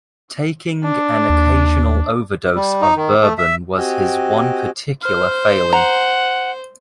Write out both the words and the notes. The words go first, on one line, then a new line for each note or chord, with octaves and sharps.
Taking an occasional overdose of Bourbon was his one particular failing.
D4
D#2
G3
D#4
D#3
A3
E5
C4 F#4 G4 D#5 G#5
C5 F6
F#5 A#5